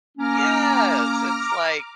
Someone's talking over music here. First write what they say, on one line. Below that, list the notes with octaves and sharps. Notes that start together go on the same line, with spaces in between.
Yes, it's like
A#3 C#4 A#5 D6 F6